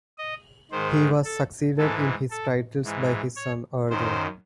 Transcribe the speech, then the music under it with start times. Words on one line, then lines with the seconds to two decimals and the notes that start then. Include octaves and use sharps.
He was succeeded in his titles by his son, Arthur.
0.18 D#5
0.71 G#2 D#3 C5
1.24 A4
1.77 G#2 E3 A4
2.30 A4
2.84 G#2 E3
3.36 C#5
3.90 F#2 D#3 C5